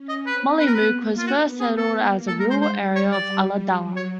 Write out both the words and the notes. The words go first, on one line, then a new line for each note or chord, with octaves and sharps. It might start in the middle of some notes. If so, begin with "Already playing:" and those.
Mollymook was first settled as a rural area of Ulladulla.
Already playing: C#4
D#5
C4 B4
B3 B4
A#4
B4
A#3
F4
B3 F#4
G#4
A4
A#3
G#3 A4
A#4
C5
G3 C5
C#5
D5
F#3
C#5